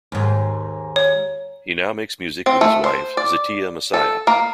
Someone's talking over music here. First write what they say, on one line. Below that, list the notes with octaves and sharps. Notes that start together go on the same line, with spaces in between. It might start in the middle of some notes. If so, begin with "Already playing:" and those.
He now makes music with his wife Zeeteah Massiah.
D#2 G#2
C#5
C4
A3
C5
D5
A4
A#3